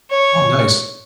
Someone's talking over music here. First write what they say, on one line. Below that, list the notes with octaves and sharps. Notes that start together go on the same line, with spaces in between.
Oh, nice.
C#5